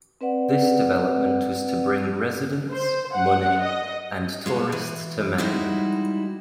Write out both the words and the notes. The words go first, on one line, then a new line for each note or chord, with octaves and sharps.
This development was to bring residents, money, and tourists to Maine.
C4 B4 D5 F#5
C5
F#5
D#5
G#3 F4 F#4
E3
G3 G#3 D#4 E4 F#4